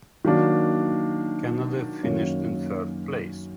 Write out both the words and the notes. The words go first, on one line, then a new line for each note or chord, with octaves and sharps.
Canada finished in third place.
D#3 F#3 A#3 D4 F#4
F#2 D#3 F#3 A#3 C#4